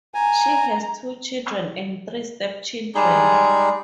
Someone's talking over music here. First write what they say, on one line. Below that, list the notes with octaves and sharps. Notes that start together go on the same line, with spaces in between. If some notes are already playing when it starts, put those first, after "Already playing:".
She has two children and three stepchildren.
G#5 A#5
G3 G#3 D#4 G#4